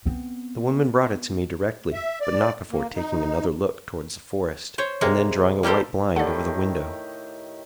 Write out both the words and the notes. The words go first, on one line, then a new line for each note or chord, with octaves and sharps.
The woman brought it to me directly, but not before taking another look towards the forest, and then drawing a white blind over the window.
B3 C4
E5
D5
A#3
D#4
C5 C#5
C3 G#3 A#3
G3 A#3 G4 A4 C5
A2 D#3 G4 A4 D5 F#5